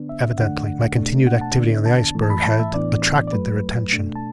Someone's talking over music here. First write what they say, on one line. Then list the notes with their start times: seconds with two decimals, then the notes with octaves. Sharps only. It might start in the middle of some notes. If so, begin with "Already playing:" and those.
Evidently my continued activity on the iceberg had attracted their attention.
Already playing: D3 B3 D4
0.09 E5
0.38 E2 D3 A3 D4 F#5
0.97 B2 A3 D4
1.27 F#5
1.41 A5
1.56 D3 B3 D4
1.86 A5
2.15 A2 E3 A3
2.22 A5
2.30 B5
2.45 A5
2.60 E5
2.74 A2 E3 B3 D4 D5
3.28 D5
3.33 F#2 F#3 A3 B4
3.92 B2 A3 D4
4.16 A5